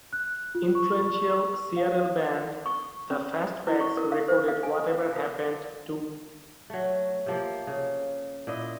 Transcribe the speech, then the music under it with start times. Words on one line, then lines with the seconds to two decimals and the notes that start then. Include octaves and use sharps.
Influential Seattle band The Fastbacks recorded Whatever Happened To...?
0.13 F#6
0.55 F4
0.75 C#6
1.00 C#6
1.76 F5
2.66 C#6
3.11 C#4
3.67 E4
3.81 C#6
3.97 A#4
4.12 F5
4.28 C5
4.48 F5
4.63 G#5
4.92 F5
5.16 A#4
6.70 F#3 A3
7.26 C3 F3 A#3
7.67 C#3
8.47 A#2 E4 D#5